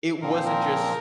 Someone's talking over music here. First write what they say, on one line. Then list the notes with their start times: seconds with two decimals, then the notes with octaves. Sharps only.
it wasn't just,
0.22 A#2 F3 C4 A#4
0.34 C5
0.46 A#4